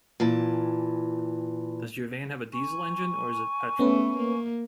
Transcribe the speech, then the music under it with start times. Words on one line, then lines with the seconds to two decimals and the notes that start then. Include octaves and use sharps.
Does your van have a diesel engine, or is it petrol?
0.20 A#2 E3 A5
2.53 G#5 C#6
3.79 A3 B3 C#4 B4
4.17 A#3